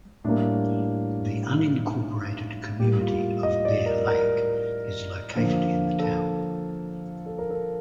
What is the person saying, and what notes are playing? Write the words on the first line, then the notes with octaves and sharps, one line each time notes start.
The unincorporated community of Bear Lake is located in the town.
A2 G3 A#3 D4
D#4
A2 G3 A#3 G4
F4
D#5
D5
A#4
A#4
D3 F3 A#3
A4
A4
A#4
A4